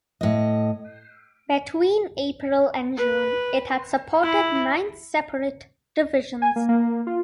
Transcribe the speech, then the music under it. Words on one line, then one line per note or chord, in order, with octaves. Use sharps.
Between April and June it had supported nine separate divisions.
A2 D#5
B4
E4
G#5
A#3
A#3
F4